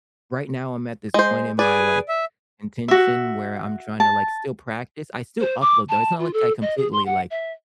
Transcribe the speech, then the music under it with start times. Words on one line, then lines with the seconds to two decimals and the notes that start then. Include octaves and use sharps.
Right now I'm at this point in my, like, intention where I'm trying to, like, still practice, I still upload though, it's not, like, I completely, like,
1.14 G#3 C5
1.59 G#4 B4 D5 G#5
2.08 E5
2.88 F#4 E5
4.00 A5
5.40 C5
5.61 D6
5.89 A5
6.19 F4
6.33 A4
6.61 D#5
6.78 G#4
6.92 C6
7.06 F#5
7.31 E5